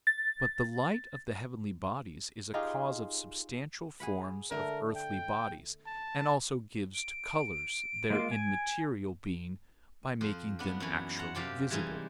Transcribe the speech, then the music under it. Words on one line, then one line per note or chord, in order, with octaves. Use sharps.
But the light of the heavenly bodies is a cause of substantial forms of earthly bodies, and also gives to colors their immaterial being, by making them actually visible.
A6
D#4 F4 G4 G#4
G#4 F#5 B5
D3 A3 A#4
G5
A5
D7
G#3 A#3 F4
G#5
F2 C5
B3 D4
F#2 E3 B3
F#5 A5 A#5 C6
F#2 C3 G4 D5 F5
E3 G3 G#3 D#4